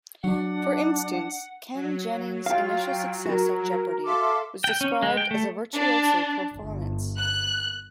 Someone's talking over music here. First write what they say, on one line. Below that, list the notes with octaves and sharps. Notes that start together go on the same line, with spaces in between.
For instance, Ken Jennings' initial success on Jeopardy was described as a virtuoso performance.
F#3 D4 F#5
F#3
F4 F5 G5
F#4 A#4
A4 E5 F5 C6 D6
G5
C#4
G#3
G5
A3
D4
G1
F#6